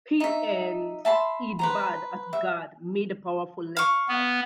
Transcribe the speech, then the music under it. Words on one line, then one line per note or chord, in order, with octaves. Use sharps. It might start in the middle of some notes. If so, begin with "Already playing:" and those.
He and Ed Budde at guard made a powerful left side.
D#4 E5
E5 A5 B5 C6
B4 C5 A#5
E5
F5 C#6
B3